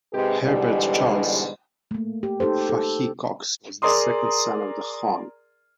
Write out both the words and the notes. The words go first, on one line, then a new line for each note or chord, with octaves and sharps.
Herbert Charles Fahie Cox was the second son of the Hon.
G#2 C3 G#3 G4 G#4 B4
G#2 B2 D3 E3 G3
A3 A#3
G4
D#4 G4 A4 C5
A4
G#4 A#4 D5 A#5 C6 D#6